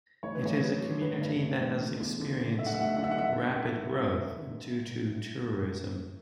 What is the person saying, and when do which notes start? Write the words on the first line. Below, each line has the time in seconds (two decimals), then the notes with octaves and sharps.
It is a community that has experienced rapid growth due to tourism.
0.23 A1 C#5
0.35 B4
0.42 A1 C#5
0.62 F#3 B4
0.82 F#3
1.01 A1 B4
1.22 G2
1.41 A3
1.60 A1
1.80 D3
2.00 E2
2.20 D3
2.39 F#1
2.59 A3 E5
2.66 F#5
2.74 E5
2.78 A3 F#5
2.88 E5
2.96 D3 F#5
3.04 E5
3.11 F#5
3.18 E5